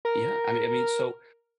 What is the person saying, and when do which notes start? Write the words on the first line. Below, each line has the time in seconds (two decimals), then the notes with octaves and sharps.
Yeah, I mean I mean, so
0.05 A#4